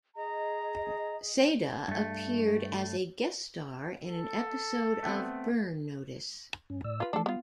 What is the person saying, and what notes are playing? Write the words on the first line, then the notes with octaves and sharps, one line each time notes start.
Seda appeared as a guest star in an episode of "Burn Notice".
G#4 D#5 A#5
G2 A3
A4
A3 B3 C4
G2 C#4
A2 D5 E6
F4 B4
E3 F3 A3 D4 A4
G3 B3 F4